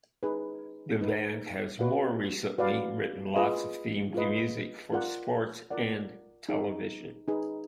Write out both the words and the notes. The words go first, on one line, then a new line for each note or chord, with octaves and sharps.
The band has more recently written lots of themed music for sports and television.
D#4 G#4 B4
D#4 G#4 B4
F#4 B4 D5 F5
F#4 B4 D5 F5
F4 G#4 B4 D#5
F4 G#4 B4 D#5
F4 A#4 D5 F#5
F4 A#4 D5 F#5
D#4 G#4 B4
D#4 G#4 B4